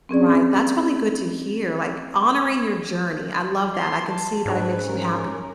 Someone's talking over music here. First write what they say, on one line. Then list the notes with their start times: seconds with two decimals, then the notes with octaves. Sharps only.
Right, that's really good to hear, like, honoring your journey, I love that, I can see that it makes you happy.
0.09 C4 C#4 G#4 D5
3.75 C6
4.09 A5
4.46 G#2 D4 B4
4.82 C#4 A#4